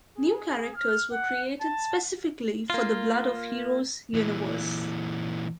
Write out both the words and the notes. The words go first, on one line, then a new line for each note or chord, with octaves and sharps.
New characters were created specifically for the "Blood of Heroes" universe.
G#4
F6
F#5
A5
A#3 F4
A#2 E3